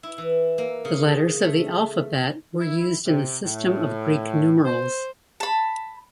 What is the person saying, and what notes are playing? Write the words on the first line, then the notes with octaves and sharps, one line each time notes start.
The letters of the alphabet were used in the system of Greek numerals.
E4
E3
A#3
C#3
A3
E4
C3
A2
C5
A5 B5